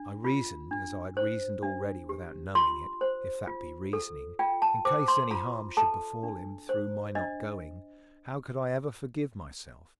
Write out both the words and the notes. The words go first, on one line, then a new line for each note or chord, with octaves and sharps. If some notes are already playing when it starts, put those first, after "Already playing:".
I reasoned as I had reasoned already without knowing it,--if that be reasoning,--in case any harm should befall him through my not going, how could I ever forgive myself!
Already playing: D4
F4
D4
C5
D4
G4
F4 C6
C5
F4
A4
F4 G5
A5
C5 D6
C6
F4 A#5
A4 A5
D4
C5
D4 D#5